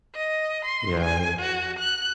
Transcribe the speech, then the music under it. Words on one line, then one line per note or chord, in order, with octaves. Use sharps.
Yeah, it is.
D#5
C6
G#5
F#4
F#6